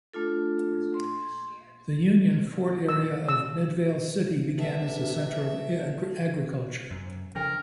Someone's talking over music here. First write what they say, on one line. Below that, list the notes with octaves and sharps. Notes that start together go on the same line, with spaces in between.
The Union Fort area of Midvale City began as a center of agriculture.
A3 D4 F4 A4
C6
E6
E6
C3 D4 A4 B4 E5 A5
F#2
C#3 F3 D4 A4 A#4 G5